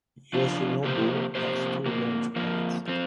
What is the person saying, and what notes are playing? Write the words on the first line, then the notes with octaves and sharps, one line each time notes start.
Yoshinobu has two launch pads.
C3 F3 D4 F4
C3 F3 A#3 G4 C5
C3 F3 A#3 G4 C5
F2 F3 A#3
F2 F3 A#3
F3 C4